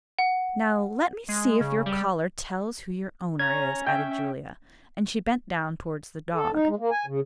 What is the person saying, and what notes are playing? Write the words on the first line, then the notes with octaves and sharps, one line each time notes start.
"Now let me see if your collar tells who your owner is," added Julia, and she bent down towards the dog.
F#5
G#3
C#3
G3
C#4 A#5 G#6
E5 G5
A4
D#4
G#3
A#3
G#5
C#3